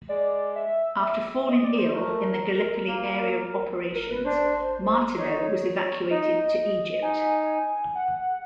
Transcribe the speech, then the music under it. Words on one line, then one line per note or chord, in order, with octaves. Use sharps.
After falling ill in the Gallipoli area of operations Martineau was evacuated to Egypt.
G#3 D5
E5
D#5
D5
C5
A3 A#4
A#3
A#4
B4
D4 C5
D#4 C#5
D#4 D#5
D#4 G#5
F#5